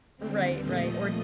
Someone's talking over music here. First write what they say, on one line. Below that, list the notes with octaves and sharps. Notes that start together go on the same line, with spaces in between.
Right, right. Or, th
D#2 D3 G3 C4
A#2 F3 A3 D#5